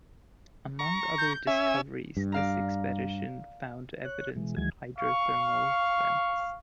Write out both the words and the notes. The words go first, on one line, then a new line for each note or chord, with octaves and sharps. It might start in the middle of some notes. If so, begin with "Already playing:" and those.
Among other discoveries, this expedition found evidence of hydrothermal vents.
A#5 C#6
G6
C#4 E5 G#5 E6
G2
D5 F5 A#5
C#5 F#6
B2 E3 G#3
D2 D#3 E3 F#3 G#3 G#6
F5 C#6